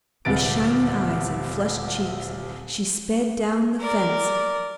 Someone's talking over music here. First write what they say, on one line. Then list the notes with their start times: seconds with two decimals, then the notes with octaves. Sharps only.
With shining eyes and flushed cheeks, she sped down the fence.
0.25 D#1 D2 C3 B4 A6 D7
3.79 A#4 D5